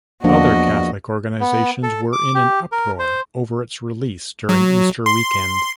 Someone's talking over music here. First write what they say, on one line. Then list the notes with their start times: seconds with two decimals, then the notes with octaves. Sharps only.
Other Catholic organizations were in an uproar over its release during Easter weekend.
0.24 E2 F3 A#3 D4 F#4 D#5
1.40 B3
1.83 A4
2.13 D6
2.35 G4
2.72 A#4
2.99 C5
4.49 F#3
5.06 C6